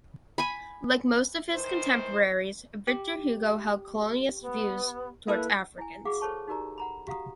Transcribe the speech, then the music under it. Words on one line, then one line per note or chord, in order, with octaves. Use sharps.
Like most of his contemporaries, Victor Hugo held colonialist views towards Africans.
G#5 B5
D#3 E3 C5
G4
B3
A#3 E4 A4 B4
E4 G#5
F#4 G#4 F5 F#5 D6
A4 C5 C#5 A5 C#6
D#4 F#4 G4 A#4 D5 A#5
F#5 A#5 B5
F#4 G4 F5 F#5 A#5 D#6